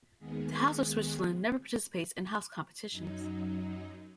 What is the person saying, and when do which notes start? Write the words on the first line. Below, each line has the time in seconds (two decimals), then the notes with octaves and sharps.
The House of Switzerland never participates in house competitions.
0.19 D#2 D#3 G#3 B3 G#4
2.90 F#2 F#3 D#4